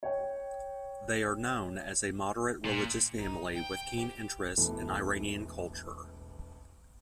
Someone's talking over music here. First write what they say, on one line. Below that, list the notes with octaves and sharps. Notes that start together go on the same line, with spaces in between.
They are known as a moderate religious family with keen interests in Iranian culture.
C#5 G5
A#2
D#4
G5
G4
E1 E3 A3